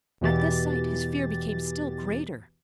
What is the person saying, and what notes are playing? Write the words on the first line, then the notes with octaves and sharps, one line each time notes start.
At this sight his fear became still greater.
E2 B2 E3 G4 A6